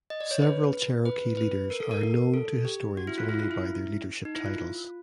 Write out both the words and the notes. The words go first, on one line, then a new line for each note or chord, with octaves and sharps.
Several Cherokee leaders are known to historians only by their leadership titles.
D#5
D5
C#5
B4
B4
B4
A#4
A4
A#4
A#4
A4
G4
F#4
E4
F4
E4
F4
E4
D#4
E4
F4